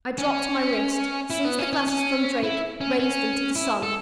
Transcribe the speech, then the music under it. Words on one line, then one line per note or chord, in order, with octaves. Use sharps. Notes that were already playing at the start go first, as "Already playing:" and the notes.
I dropped my wrist; seized the glasses from Drake; raised them to the sun.
C#4
E4
B3
C#4
C#4
C#4
E4
C#4
C#4
E4
A4